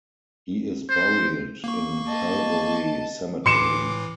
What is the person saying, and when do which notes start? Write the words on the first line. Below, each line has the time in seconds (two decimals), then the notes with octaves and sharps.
He is buried in Calvary Cemetery.
0.90 C5
1.64 A#3 C#6
2.07 D#5 A5
3.46 A2 E3 C6 D6 C#7 E7